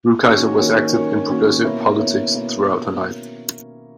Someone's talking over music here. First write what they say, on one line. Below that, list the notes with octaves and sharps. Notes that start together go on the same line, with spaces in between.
Rukeyser was active in progressive politics throughout her life.
D#3 A#3 C#4 F#4 C#5
D#3 A#3 C#4 F#4 C#5
D#3 A#3 C#4 F#4 C#5
D#3 A#3 C#4 F#4 C#5
B2 A#3 E4 A#4 C#5
B2 A#3 E4 A#4 C#5
B2 A#3 E4